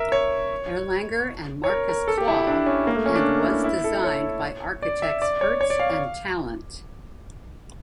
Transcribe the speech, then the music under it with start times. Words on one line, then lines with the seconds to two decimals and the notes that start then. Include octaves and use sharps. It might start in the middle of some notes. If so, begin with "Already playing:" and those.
Erlanger and Marcus Klaw, and was designed by architects Herts and Tallant.
Already playing: A#4 E5
0.12 C#5
1.64 C#5
1.70 A#4
1.89 A#4
2.08 A4
2.18 G4
2.28 E4
2.47 D4
2.66 C#4
2.87 A#3
2.96 A3
3.06 C#4
3.16 D4
3.45 E4
3.64 E4
3.84 A4
4.04 C#5
4.82 D5
5.02 E5
5.22 D5
5.41 C#5
5.61 C#5
5.70 D5
5.79 F5
5.90 F5